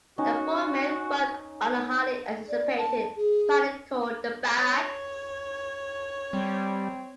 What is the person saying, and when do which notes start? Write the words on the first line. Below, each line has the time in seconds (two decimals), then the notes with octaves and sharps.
The four men worked on the highly anticipated Pilot called The Barracks.
0.18 C#4 D#4 F#4
2.49 D5
2.78 A5
3.17 G#4
4.57 C#5
6.33 G3 C4